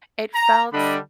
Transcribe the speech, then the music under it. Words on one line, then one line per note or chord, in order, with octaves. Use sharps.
it felt
A#5
D3 G3 D4 D#5 B5